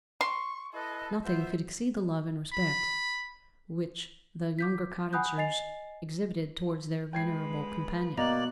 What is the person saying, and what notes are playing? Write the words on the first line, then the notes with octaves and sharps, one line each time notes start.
Nothing could exceed the love and respect which the younger cottagers exhibited towards their venerable companion.
C6 C#6
E4 A4 B4 D#5
B3 F4 C5 E5
B5
D6 G6 B6
F#5 G#5 B5 D#6 F#6 G6
D#5 G#5 A6 C7 F7
G#3 B4 G5 G#6 C7
B2 A#3 D5 D#5 A#5 F#6